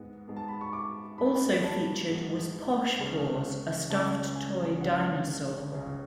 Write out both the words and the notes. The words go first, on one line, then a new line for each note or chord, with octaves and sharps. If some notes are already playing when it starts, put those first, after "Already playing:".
Also featured was Posh Paws, a stuffed toy dinosaur.
Already playing: G#2 G#3 B3
G#2 G#3 B3
A5
B5
C#6
D6
G#2 G#3 B3 B5
A5
G#2 G#3 B3
C#2 C#3 G#3 C#4
C#2 C#3 G#3 C#4 A5
G#5
C#2 C#3 G#3 C#4 F#5
C#2 C#3 G#3 C#4